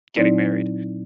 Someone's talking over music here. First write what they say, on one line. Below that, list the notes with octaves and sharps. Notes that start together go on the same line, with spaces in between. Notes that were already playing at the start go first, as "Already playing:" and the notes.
getting married.
A#2 F#3 C4 D#4 E4 D5